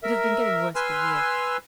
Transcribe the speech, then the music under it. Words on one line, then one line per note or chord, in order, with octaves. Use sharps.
It has been getting worse for years.
A#4 E5
B4 G#5 C6 E6 F6